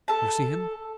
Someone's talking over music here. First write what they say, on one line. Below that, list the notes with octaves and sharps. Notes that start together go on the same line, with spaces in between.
"You see him?"
A4 A5